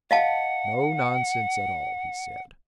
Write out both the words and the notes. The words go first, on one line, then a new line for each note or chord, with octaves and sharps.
"No nonsense at all," he said.
D#5 F5 F#5 A5